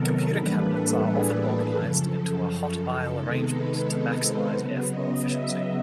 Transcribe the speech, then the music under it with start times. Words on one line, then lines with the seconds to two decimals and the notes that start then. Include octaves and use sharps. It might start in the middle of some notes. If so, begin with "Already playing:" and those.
Computer cabinets are often organized into a hot aisle arrangement to maximize airflow efficiency.
Already playing: C3 D#3 F#3 B3 A4 A#4
0.36 A2 E3 G3 A#3 D4 B4
0.70 A4
1.05 G#4
1.40 G#4
1.74 F#2 C#3 F3 A4
2.09 A4
3.14 C3 D#3 G#3 B3 D#4 A4
3.49 B4
3.83 B4
4.18 C5
4.53 C#3 F#3 B3
4.87 D#5
5.22 E5